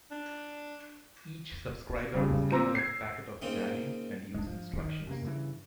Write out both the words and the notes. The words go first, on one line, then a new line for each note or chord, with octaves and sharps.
Each subscriber was given a packet of dialing and use instructions.
D4
G2 C#3
A#2 C4 A#5 D6 E6 A#6
G#6 C7
C#3 A#3 C4 D#4
G#3 D4
F3
D#3
F#2 C3 A#3
G2 C#3 E3